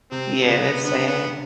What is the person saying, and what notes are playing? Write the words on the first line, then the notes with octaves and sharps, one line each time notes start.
Yeah, that's sad.
C3 C4
C#3 B3
D3 B3
B3